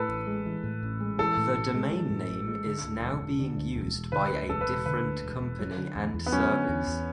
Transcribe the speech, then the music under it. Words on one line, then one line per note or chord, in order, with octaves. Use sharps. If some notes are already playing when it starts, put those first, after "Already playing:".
The domain name is now being used by a different company and service.
Already playing: A2 A4 B4
A1
G#3
E3
A2
A1
G#3
E3 A4
A2
A1
G#3
E3
A2
A1
G#3
D3
D2
E1
E1
D3
D2
E1
E1
D3 B4
D2
E1 A4
B4
E1
D3 B4
D2
E1
E1
F#3
D3
E2
E2
B3
F#3 C#4
D3
E2
E2